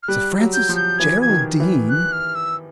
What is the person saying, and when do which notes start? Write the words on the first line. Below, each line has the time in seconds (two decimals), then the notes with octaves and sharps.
"Sir Francis Geraldine!"
0.03 F6
0.08 G3 F#6
0.39 F#3
0.54 G6
0.69 F3
0.76 G6
0.99 E3 G#6
1.22 G#6
1.29 D#3
1.60 E3
1.90 F#6
2.12 F6
2.35 E6